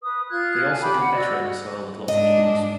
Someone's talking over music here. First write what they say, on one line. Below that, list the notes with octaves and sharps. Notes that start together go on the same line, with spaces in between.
They also do better in a soil with lots of humus.
B4 D#6
F4 F#6 G#6
G#5 A5
G4 G5 B5 D6
F#5
F#4 D5 D#5 E6
G#2 D4 D#5